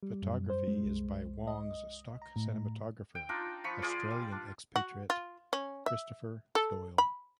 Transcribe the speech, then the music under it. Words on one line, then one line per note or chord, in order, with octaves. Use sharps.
Photography is by Wong's stock cinematographer, Australian expatriate Christopher Doyle.
G3
F#2
C5
G#3
C2
D#5
A#5
A2
G5
D4 D#4 F4
F3 B5 C#6
F4 G#4 D5 C6
G3
D4
F#4
F4
C#4
E5
A4
B5